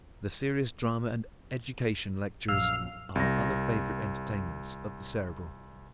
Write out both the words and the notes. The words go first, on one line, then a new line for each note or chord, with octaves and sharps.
The serious drama and educational lectures are other favorite entertainments of the Cerebral.
A#1 F#2 F5 E6
C2 A#6